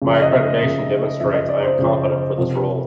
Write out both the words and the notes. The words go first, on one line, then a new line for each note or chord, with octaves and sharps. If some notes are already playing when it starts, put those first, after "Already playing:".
My accreditation demonstrates I am competent for this role.
C#3 F3
E5
D#5
E5
C#3 F3
C#3 F3 E5
D#5
D5
C5
C#3 F3
C3 F3